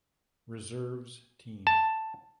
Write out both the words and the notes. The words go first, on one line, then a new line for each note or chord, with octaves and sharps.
Reserves team.
A5